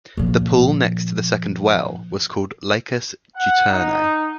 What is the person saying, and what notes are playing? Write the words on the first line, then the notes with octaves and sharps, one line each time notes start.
The pool next to the second well was called Lacus Juturnae.
A#2 F3
F#5
D#4